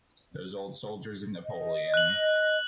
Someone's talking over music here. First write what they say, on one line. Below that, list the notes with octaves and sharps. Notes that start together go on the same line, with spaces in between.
Those old soldiers of Napoleon!
D#5
F#6 F#7